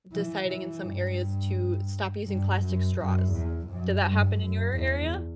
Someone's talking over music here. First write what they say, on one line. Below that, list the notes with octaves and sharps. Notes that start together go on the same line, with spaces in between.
deciding in some areas to stop using plastic straws. Did that happen in your area?
E3
E3
G2
G2
F#2
F#2
E2
F#2
G2
F#2
E2